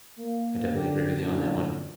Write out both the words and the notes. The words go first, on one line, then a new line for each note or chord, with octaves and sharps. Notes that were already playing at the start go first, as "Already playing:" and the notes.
I definitely agree with you on that one.
A#3
D3 G4
A#2 D3 E3 A3 C4 D4